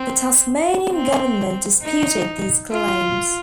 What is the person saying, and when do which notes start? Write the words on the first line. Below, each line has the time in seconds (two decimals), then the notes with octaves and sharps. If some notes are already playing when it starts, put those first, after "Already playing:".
The Tasmanian government disputed these claims.
Already playing: C4
0.92 C4
1.82 D#4
2.71 F4